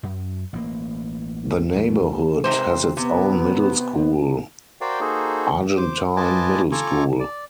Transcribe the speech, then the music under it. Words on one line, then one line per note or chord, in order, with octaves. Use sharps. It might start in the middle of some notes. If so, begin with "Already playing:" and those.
The neighborhood has its own middle school, Argentine Middle School.
F#2
A1 A#3
D#1 E2 F#3 A3
G#2 C3 C5
C3 B3
F#4 A#4 C5 D5 F5 G5
A#3 D#4 F#4 G#4 A4 C5
C5 D6
F4 B4 D#5 G#5 A5 D6
F4 A4 G#5 A#5 C#6 D6
D5